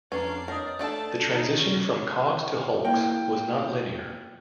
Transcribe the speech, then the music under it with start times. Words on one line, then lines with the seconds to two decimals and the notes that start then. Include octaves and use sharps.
The transition from cogs to hulks was not linear.
0.12 F2 C#4 D4 B4 D5 A#5 C7
0.48 A#4 C#5 D#5 D#6
0.79 A3 D4 A4 A5
1.27 D#4
1.56 F#2 C3 C#4 G#4
2.85 A#3 E4 G5